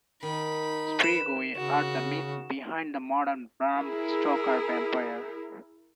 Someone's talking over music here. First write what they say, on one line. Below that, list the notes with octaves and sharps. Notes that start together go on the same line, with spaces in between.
Strigoi are the myth behind the modern Bram Stoker vampire.
D#3 D#4 B5
B4 E7
C#3 F#4
E4 G#4 A#4